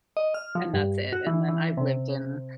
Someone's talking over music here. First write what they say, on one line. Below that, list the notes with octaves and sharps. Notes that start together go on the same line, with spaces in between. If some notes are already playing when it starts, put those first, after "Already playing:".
And that's it, and then I've lived in
D#5
F6
F3
G2
F#4
E3
E3
C3